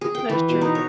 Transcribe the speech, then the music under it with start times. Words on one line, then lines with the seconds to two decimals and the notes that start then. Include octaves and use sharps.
That's true.
0.01 G#4
0.15 G5
0.29 E3
0.49 B2
0.61 D#4
0.75 C#5